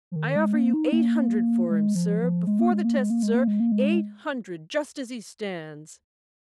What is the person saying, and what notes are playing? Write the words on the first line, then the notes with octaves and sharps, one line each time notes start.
"I offer you eight hundred for him, sir, before the test, sir; eight hundred just as he stands."
F3
D#3
G#3
A#3
D#4
A#3
G#3
F3
F3
G#3
A#3
G#3
A#3
G#3
A#3
G#3
A#3
G#3
A#3
G#3